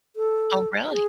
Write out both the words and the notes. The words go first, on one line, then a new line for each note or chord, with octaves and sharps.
Oh, really?
A4
G#4